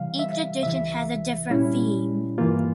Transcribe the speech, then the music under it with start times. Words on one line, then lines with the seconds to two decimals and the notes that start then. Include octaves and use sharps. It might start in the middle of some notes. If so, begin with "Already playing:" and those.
Each edition has a different theme.
Already playing: C3 E3 G3 F5
0.19 E5
0.63 C#2 C3 E3 E5
1.50 A#2 G3 C#4 E4
2.38 G2 E3 A#3 F4